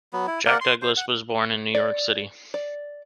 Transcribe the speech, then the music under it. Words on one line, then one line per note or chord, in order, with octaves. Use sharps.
Jack Douglas was born in New York City.
F#3 B3
E4
A#3 A#4 D5 F#5
C6
C5
F#5
D5
D5